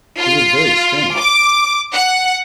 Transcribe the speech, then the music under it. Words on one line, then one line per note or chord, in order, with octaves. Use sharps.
It was very strange!
F4
D6
F#5